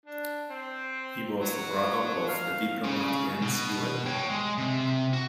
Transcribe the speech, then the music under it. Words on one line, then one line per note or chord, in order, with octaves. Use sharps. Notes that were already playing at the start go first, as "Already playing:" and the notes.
He was the brother of the diplomat Jens Juel.
D4
C4
F#3
F5
C#3
B2
C#5 G5
G#3
C3
F#4